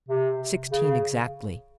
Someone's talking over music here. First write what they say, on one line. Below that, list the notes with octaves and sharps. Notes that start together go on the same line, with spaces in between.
"Sixteen, exactly."
C3
C#3